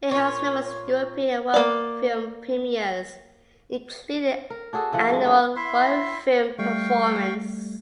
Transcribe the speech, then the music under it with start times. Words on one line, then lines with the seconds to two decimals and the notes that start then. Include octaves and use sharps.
It hosts numerous European and world film premieres including the annual Royal Film Performance.
0.11 A#2 F4 C#5
1.54 A#3 D5
4.50 A#4
4.73 D4 F#4 G#4 A4
4.92 D3 E3 F3 F#5
5.10 G2 G#3
5.25 A#3 C#4
5.56 E4 E5 C6
6.59 G3 A3 F5 G5 C#6